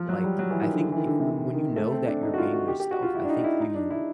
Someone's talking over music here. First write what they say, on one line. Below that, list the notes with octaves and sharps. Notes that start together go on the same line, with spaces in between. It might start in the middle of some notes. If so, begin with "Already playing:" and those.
like I think if w when you know that you're being yourself, I think you
Already playing: F3
F#3
G3
F#3
E3
D#3
D3
D3
E3
D#3
D3
C3
D3
D#3
A3
C4
D4
D#4
F#4
F4
F#4
G4
G4
F#4
F4
E4
D4
D#4
E4
D#4
D4
E4